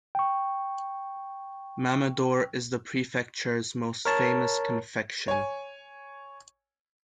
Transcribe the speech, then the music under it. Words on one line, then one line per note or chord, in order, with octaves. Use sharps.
Mamador is the prefecture's most famous confection.
G5 C#6
A#4 C#5 A5
C#5 G#5